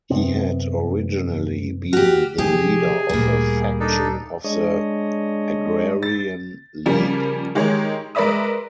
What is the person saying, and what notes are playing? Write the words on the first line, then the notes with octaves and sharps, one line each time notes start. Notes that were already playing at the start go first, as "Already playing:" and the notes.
He had originally been the leader of a faction of the Agrarian League.
F#2 C3 B3 C4
F#4 G4 F6
C3 F3 G4 G#4
D2 A#2 G3 A#3
D4 D#4 A4
G#3 D4 C#5 D#5
A6
C#3 F3 G3 A#3 C#4
D#3 G#3 G4 A#4 C#5
G#3 A#4 B4 D5 E5 D#6